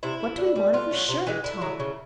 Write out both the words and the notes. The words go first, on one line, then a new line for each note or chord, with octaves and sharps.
"What do we want of a shirt, Tom?"
C3 E4
F3 A3
D3
G3
D3 F4
F#3 A3
C3
E3 G#3
D3 E4
F#3 A3
C#3